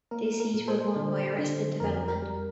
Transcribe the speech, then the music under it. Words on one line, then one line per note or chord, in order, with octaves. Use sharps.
This heat was won by Arrested Development.
A#3 A#4
A#4
A#2
A4 C5
D3
D3
F2 A#4
A#4
G3